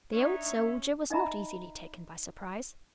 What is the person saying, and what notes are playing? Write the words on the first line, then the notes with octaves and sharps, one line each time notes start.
The old soldier was not easily taken by surprise.
D4 D#4 C#5 E5
C#4
D#4 D#5 E5 A#5 B5